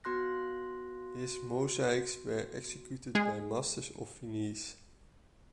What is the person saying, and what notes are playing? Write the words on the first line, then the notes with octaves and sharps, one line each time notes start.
His mosaics were executed by masters of Venice.
B3 F#4 C6 F#6 A#6
G#3 G#4